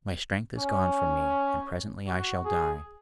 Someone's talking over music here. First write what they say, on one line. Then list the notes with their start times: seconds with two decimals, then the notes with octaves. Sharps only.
My strength is gone from me, and presently I shall die.
0.58 C#4
2.08 F#4
2.45 G#4